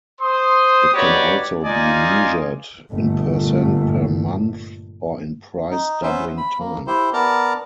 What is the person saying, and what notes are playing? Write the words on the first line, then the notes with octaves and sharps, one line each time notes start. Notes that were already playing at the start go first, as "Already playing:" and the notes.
It can also be measured in percent per month or in price doubling time.
C5 C6 D#6
D#4 F#4 G4 B4 C#5 D5
D#4 F4 D5 D#5 F5 G#5
G1 A#2 A3
D#4
B3 C#4 B4 C5 E5
B5
A#3
E4 G4 C5
B3 A#4 D5 A5 A#5